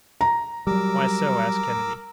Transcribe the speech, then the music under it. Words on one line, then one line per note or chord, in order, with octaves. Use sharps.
"Why so?" asked Kennedy.
A#5
F#3 G3 A#4 D6 E6